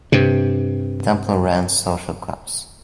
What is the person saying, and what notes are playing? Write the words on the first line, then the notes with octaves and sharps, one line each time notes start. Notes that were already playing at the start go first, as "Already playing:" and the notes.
Templer ran social clubs.
G2 C3